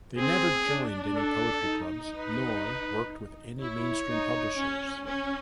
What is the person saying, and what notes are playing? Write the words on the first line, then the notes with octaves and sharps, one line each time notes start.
She never joined any poetry clubs nor worked with any mainstream publishers.
C4 G#4
D4
A4
D#4
B4
E4 C#5
D#4
C#4
C#4